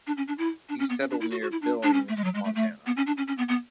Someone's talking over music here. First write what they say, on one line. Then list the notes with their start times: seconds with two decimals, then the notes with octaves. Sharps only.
He settled near Billings, Montana.
0.07 D4
0.17 C#4
0.28 D4
0.38 E4
0.69 D4
0.79 C#4
0.90 B3
1.00 C#4
1.11 D4
1.21 E4
1.31 F#4
1.42 F#4
1.52 E4
1.62 D4
1.83 D4
1.93 C#4
2.09 A3
2.17 G#3
2.24 F#3
2.35 G#3
2.44 A3
2.55 A3
2.86 B3
2.97 C#4
3.07 D4
3.17 C#4
3.28 C#4
3.38 B3
3.49 B3